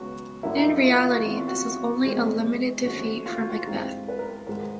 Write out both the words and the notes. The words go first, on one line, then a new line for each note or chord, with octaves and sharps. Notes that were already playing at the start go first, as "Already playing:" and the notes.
In reality this was only a limited defeat for Macbeth.
Already playing: C#2 C#3 F#3 B3 F#4
G2 D3 F#3 A#3 E4
D#4
E4
F4
F4
F#4
E2 C3 E3 F#4
F4
F#4
E2 B2 G#3 C4
D#2 D3 F3 A3 C#4 F#4
F4
F#4
F4
G2 E3 G#3 C4 D#4
B4
A#4
G#2 D#3 G#3 A#4